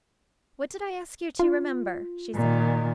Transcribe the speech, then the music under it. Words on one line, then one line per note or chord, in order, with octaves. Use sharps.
"What did I ask you to remember?" she said.
F4
A#2 D#3